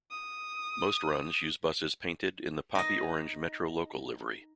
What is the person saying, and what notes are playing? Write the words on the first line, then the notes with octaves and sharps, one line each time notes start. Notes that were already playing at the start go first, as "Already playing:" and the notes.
Most runs use buses painted in the poppy-orange Metro Local livery.
D#6
D#4 D#5